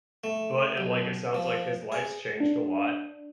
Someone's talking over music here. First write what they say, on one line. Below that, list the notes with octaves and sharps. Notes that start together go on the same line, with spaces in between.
but it like, it sounds like his life's changed a lot.
A3
B1
F3
G#4
D4